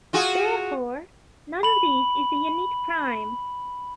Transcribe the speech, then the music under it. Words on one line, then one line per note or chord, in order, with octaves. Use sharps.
Therefore, none of these is a unique prime.
F4 F#4 G#4
B5 F#7